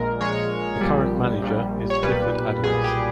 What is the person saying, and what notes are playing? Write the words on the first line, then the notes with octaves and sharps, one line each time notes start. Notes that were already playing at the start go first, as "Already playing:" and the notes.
The current manager is Clifford Adams.
Already playing: A#1 A#2 G#3 A#4
A#1 A#2 G#3 C#5
A#1 A#2 G3
A#1 A#2 G3
C#5
B1 A#2 G3 B4
B1 A#2 G3 G#4
G4